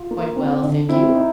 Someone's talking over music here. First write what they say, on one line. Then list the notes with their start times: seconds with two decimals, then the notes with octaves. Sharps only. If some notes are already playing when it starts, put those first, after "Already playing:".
"Quite well, thank you."
Already playing: F4
0.11 A#3
0.36 C4
0.63 D3
0.89 C4 E4
1.15 D#4